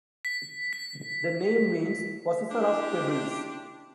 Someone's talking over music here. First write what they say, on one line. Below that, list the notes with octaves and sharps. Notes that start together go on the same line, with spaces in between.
The name means "possessor of pebbles".
B6
B6
D4 E4 F4 G4